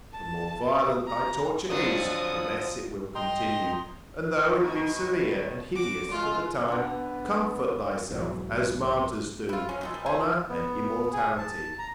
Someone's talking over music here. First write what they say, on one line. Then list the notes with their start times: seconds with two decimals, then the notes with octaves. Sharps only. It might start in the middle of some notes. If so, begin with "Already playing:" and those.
The more violent thy torture is, the less it will continue: and though it be severe and hideous for the time, comfort thyself as martyrs do, with honour and immortality.
0.13 A5
1.07 A#5
1.70 F2 D3 F3 F#3 D#6
3.15 D#5 G5 A#5 C6
4.60 B2 D#3
5.75 F#4 D6
6.11 G#3 F4
6.68 D3 B3
8.10 B1 G#2 E3 F#3
9.49 E4 F4
9.69 G#3 C#4
9.81 D#3 G#3 A4
9.94 G3 G#3
10.06 A3 F4 C5 G#5
10.49 B3
11.12 G#4
11.38 A5
11.79 A#5